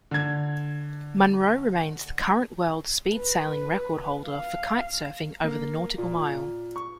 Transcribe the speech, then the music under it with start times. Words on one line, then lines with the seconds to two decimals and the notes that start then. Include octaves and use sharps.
Munro remains the current world speedsailing record holder for kitesurfing over the nautical mile.
0.11 D3 G#6
3.14 B4
4.26 F5
5.44 A#3
5.98 A#2
6.76 C#6